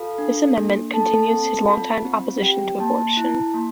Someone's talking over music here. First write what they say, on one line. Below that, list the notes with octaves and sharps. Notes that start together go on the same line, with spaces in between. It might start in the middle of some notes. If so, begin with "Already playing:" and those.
This amendment continues his longtime opposition to abortion.
Already playing: F4 A4 F5
D4
A#3
A4 A5
C4
F4
C4
G4 G5
A#3 A5
E4
A#3